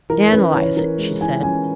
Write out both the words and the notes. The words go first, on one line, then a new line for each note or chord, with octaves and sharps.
"Analyse it," she said.
E3 A#4
C#5
C#4 B4
E3 C#5
E3 A#4
G#3
E3 G#5
C#4 G#5